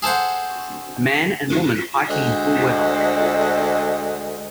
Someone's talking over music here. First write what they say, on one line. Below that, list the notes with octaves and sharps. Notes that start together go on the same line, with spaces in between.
A man and woman hiking in cool weather.
G#4 A4 C5 F#5
D2 G#3 D4 A4 C5 D#5